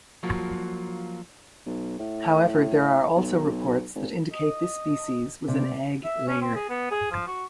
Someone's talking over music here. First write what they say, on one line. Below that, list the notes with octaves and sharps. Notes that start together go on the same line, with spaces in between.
However, there are also reports that indicate this species was an egg layer.
F3 F#3 A#3 F4 F#4
B1
A2
B1
G#1
D#5
C3 D5
E5
C#4
C4
G#4
B3
G#4
F3
F#4